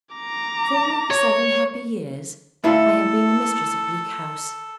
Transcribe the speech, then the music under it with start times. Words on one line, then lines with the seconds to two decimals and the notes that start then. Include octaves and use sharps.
Full seven happy years I have been the mistress of Bleak House.
0.15 A#5 D6
1.11 C#5
2.64 A3 E4 A4 F5